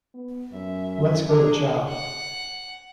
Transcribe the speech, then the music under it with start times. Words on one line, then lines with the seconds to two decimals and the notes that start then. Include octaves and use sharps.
Let's go to chow.
0.14 B3
0.52 F#2 E5
1.28 D4 G#4 A#4
1.88 F#5